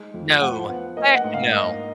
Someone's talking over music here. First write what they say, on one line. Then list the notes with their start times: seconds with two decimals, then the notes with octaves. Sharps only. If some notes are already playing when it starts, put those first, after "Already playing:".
No. Heck no.
Already playing: G#3 D#4
0.14 F2
0.41 F3 F#5
0.69 B3
0.97 A#3 D#5
1.15 F#5
1.24 G#2
1.34 F5
1.52 A#3 D#5